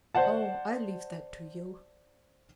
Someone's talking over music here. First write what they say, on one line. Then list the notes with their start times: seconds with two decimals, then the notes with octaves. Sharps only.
"Oh, I leave that to you."
0.15 C5 D5 F#5 A5